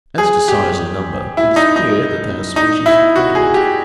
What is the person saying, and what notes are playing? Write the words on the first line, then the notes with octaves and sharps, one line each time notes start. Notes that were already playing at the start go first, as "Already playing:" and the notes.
As to size and number, it is clear that they are species of quantity.
G#4
G4
E4
D#4
D#4
D#4
E4
F#4
G#4
G4